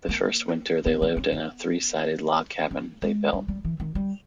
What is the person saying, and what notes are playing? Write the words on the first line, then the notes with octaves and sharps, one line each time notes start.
The first winter, they lived in a three-sided log cabin they built.
A#3
B3
C#4
C#4
B3
A#3
G#3
G3
G3
E3
D#3
G3